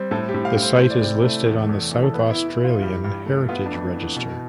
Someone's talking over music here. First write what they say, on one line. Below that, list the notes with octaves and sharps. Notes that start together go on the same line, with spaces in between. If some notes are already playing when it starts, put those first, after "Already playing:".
The site is listed on the South Australian Heritage Register.
Already playing: G3 C4
A2 A4
G4
A2
F5
A2
C5
E3 C5
D5
C3 C5
A3
E2
E2
E2
A4
B3 B4
E4
E3
E4
E3
F4
G2 G4
G2
A3
B3 F4
D4
F2
E3
B2